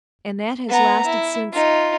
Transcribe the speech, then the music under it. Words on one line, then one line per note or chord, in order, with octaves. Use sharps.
"And that has lasted since--?"
B3 A#5
E4
D#4 F4